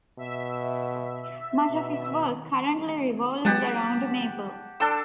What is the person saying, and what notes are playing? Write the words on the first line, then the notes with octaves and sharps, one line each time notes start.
Much of his work currently revolves around Maple.
B2 E5
B2
F#3 G#3 B3 G4 F#5 A5
D4 A4 G5 C6 E6